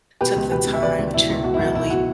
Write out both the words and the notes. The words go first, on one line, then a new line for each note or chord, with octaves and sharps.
took the time to really
B2 G4 B4
C#2
B2 G4 B4
C#2
E5
B2 B4 D5
C#2
B2 E4
C#2
B2 F#4
E4
B1 F#4
B2 E4
F#4